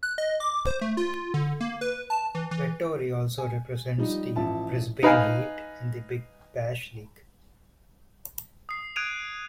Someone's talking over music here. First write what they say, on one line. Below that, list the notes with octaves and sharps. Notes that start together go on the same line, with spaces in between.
Vettori also represents the Brisbane Heat in the Big Bash League.
F#6
D#5
D6
C5
A3
F4
D3
A#3
B4
A5
E3
E3
G#5
F3 G3 D#4
A1 F3 E5 A5
D#4 B4 F5 G#5
D#6 C7
D#6 F#6 G#6 D7 D#7 F7